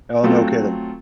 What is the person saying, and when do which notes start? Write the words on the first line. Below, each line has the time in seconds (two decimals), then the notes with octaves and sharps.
Oh, no kidding.
0.23 F#3 A3 C4 F4